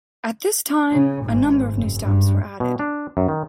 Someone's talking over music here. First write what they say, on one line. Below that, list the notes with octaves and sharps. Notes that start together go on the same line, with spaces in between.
At this time a number of new stops were added.
C#3
G#1 G#2
F#1
G2
B2
D4
F#2
D#3